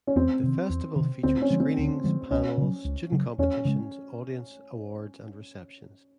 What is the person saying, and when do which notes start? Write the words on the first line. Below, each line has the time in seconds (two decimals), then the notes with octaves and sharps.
The festival featured screenings, panels, student competitions, audience awards and receptions.
0.07 C#4
0.16 E2 C4
0.43 C3 D#3
0.70 E2
0.96 C3 D#3
1.23 D2 C4
1.42 C#4
1.50 D3 F3 G#3
1.60 C4
1.78 D2
2.04 D3 F3 G#3
2.31 C#2 C#4
2.58 C#3 F#3
2.85 C#2
3.12 C#3 F#3
3.38 E2 C#4
3.65 C#3 F3 G#3